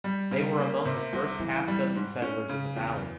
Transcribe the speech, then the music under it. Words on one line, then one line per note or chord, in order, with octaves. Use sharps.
They were among the first half dozen settlers in the valley.
G3
C#3
A#3
C3
C2
E3
G3
G#2
C#4
C#3
E2